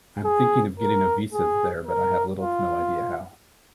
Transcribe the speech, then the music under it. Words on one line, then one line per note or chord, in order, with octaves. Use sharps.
I'm thinking of getting a visa there but I have little to no idea how.
G#4
A#4
G#4
A#4
F4